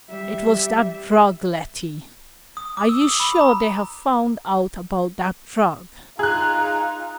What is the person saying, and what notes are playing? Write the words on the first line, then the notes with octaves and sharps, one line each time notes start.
"It was that drug--Letty, are you sure they have found out about that drug?"
G3 E5
D#6
D6
E6
D#6
B5
A#5
D#4 F4 G#4 A#5 F#6